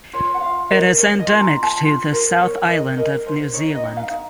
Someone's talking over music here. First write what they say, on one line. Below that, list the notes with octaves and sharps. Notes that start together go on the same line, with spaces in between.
It is endemic to the South Island of New Zealand.
F4 C#5
F#5
F4 F5
A#4 D#5
A#4 C#5
D#5
F4
A#5
F4
A5
F4
A#4 C5
A#4 C#5
A#4 D#5
A#4 D#5
A#4 C5
D#4 C#5
D#5
D#4
F5
D#4